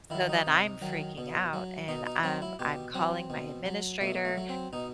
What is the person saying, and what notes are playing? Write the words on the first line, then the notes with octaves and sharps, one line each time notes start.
So, then I'm freaking out, and, um, I'm calling my administrator,
D#3 F#3 E4
D#4
C3
D#3 F#3
B2
F#3
B2 D#4
D#4
F#3 C4
E4
B2 G4
F#3 C4
B2
F#3
B2 A3
A3
F#3
C4
B2 D#4